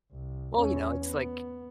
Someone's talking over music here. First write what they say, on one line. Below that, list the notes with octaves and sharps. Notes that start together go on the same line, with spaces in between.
Well, you know, it's like
C2
E2 C#4
B3